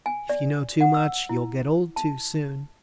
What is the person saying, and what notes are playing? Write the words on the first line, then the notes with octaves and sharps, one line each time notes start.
"If you know too much, you'll get old too soon."
G#5
D5
F#5
E6
E4
A5